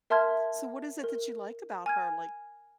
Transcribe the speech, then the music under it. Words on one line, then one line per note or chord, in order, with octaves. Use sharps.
So what is it that you like about her? Like,
A#4 E5 A5 C6 F6 G#6
A#4
G#5 F6 G#6